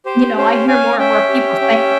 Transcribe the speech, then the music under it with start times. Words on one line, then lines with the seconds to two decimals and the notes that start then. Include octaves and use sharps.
You know, I hear more and more people saying
0.06 G4 C5
0.38 C#4 C5
0.67 C#4 F5 G#5
0.98 C#4 E5 G5
1.29 G4
1.61 C#4